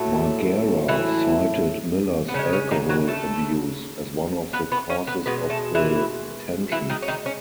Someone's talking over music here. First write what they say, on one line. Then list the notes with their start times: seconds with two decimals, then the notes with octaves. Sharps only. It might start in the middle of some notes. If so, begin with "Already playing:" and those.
Margera cited Miller's alcohol abuse as one of the causes of the tensions.
Already playing: A2 F#3 A3
0.88 E3 E4
2.28 B3
2.34 C#3 C#4
2.39 G#3
2.53 C#4
2.71 D#3 D#4
2.89 F#3 F#4
3.08 A3 A4
4.53 B3 B4
4.72 B3 B4
4.89 C#4 C#5
5.07 B3 B4
5.26 B2 G#3 B3 B4
5.50 A3 A4
5.75 E3 E4
6.72 E3 E4
6.90 D#3 D#4
7.02 C#4
7.08 D#3 D#4
7.26 C#4